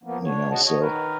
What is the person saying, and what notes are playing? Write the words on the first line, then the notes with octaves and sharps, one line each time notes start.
you know, so
F3 A#3 B3
D4 C#5
A#2 C#3 F#4 D#5 F#5 A5
C#5 D#5
D#3 A#4 B4